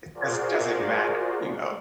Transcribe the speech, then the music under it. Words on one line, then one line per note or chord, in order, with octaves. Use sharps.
It does doesn't matter, you know?
F4 F#4 G#4 A#4 C5 D5